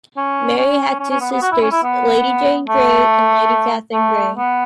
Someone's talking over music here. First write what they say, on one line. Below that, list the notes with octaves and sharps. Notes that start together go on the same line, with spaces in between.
Mary had two sisters, Lady Jane Grey and Lady Catherine Grey.
C#4
C#4
C#4
C#4
B3
B3
F#4
E4
C#4
E4
B3
A3
A3
B3